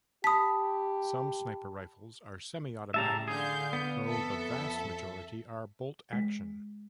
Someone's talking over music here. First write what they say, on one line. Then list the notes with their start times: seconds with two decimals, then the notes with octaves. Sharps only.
Some sniper rifles are semi-automatic, though the vast majority are bolt-action.
0.24 G4 A5 B5 D#6 B6
2.94 A2 C#3 G3 E5 A5 A#5
3.28 D3 G#4 F5 G6
3.73 B3
4.07 F2 A4 E5
6.13 G#3